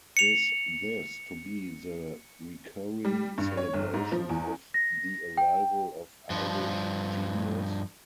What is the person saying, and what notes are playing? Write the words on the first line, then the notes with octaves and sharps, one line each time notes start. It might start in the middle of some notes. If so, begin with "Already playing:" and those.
Is this to be the recurring celebration of the arrival of Irish genius?
C#7 F7
G3
G2
C#5
G1
G#2
F3
E2
A#6
G5
G2 F3